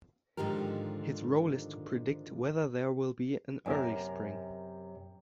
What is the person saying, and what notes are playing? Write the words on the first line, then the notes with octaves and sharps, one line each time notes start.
His role is to predict whether there will be an early spring.
G#2 D3 D#3 F3 G4 A#4
F#2 C3 A#4